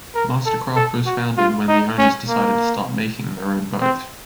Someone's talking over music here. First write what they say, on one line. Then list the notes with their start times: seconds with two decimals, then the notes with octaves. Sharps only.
MasterCraft was founded when the owners decided to start making their own boats.
0.15 A#4
0.46 A4
0.76 A4
1.06 F#4
1.37 F4
1.68 D#4
1.98 C#4
2.29 A#3
3.81 C4